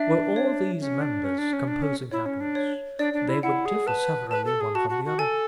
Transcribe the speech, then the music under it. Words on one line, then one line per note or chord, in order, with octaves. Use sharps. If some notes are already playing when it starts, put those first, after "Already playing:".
Were all these members composing happiness, they would differ severally one from the other.
Already playing: D4 E5
C#5
C#4
D4
C#4
D4
C#4
D4
C#4
E4 C#5
C#4
D4
C#5
D4 D5
D4
E4
E4 F#5
G#4
B4 A5
B4 A5
A4
G#4
F#4 A5
F#4
F#4
A4 G#5